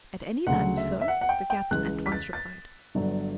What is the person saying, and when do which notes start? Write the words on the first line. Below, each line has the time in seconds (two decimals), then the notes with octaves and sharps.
"At any time, sir," the Captain at once replied.
0.47 D2 C#3 F#3 F#5
0.77 E5
1.01 E5
1.08 F#5
1.21 F#5
1.29 G5
1.50 G5
1.71 C#2 C#3 E3 F#6
2.06 B6
2.12 A6
2.33 A6
2.95 G1 G2 D3 F#3